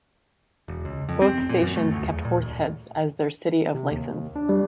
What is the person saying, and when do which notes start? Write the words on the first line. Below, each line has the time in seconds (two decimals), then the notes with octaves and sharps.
Both stations kept Horseheads as their city of license.
0.68 E1
0.85 C#2
1.09 F2
1.22 C4
1.38 F1
1.49 A#2
1.62 F#2
1.76 A3
1.91 D2
2.04 E2
2.25 A#2
2.41 D1
3.75 C3
3.91 D#2
4.36 D4
4.49 G3